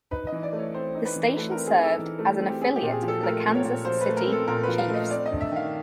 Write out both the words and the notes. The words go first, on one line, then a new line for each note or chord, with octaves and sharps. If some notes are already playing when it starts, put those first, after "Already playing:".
The station served as an affiliate for the Kansas City Chiefs.
D#4 B4
D#5
E3
D5
A3
C#5
C4 C5
D#4
B4
E3
A3 B4
A#4
C4
G#4
D#4 A4
E3
A3
C4
G4
C4 G#4
G4
A#2
G#4
F3
A4
A3 A#4
C4
C#5
A#2
F3 C5
B4
A3
A#4
C4
A4
A#2 A#4
F3 B4
F5
A3 D#5
C4 D5
D#5
G2
E5
D#3 F5